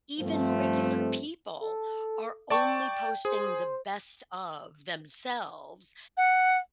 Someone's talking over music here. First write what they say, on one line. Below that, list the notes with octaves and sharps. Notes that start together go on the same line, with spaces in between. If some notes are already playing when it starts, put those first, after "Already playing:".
Even regular people are only posting the best of themselves
G2 F3 A3 C4
A4
D5 G5 A5 C#6
G#4 C5
F#5